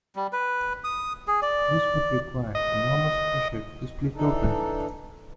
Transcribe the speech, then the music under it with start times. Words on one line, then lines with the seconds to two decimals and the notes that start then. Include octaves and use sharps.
This would require enormous pressure to split open.
0.16 G3
0.33 B4
0.84 D#6
1.28 G#4
1.42 D5
2.55 D#5
4.15 E3 D4 D#4 A4